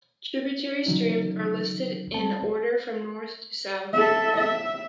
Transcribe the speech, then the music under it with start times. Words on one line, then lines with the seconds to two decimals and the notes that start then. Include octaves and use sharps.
Tributary streams are listed in order from north to south.
0.86 C#3 E3 F#3 C#4 D#4
2.14 G3 C4 A5
3.93 A4 E5
4.37 E5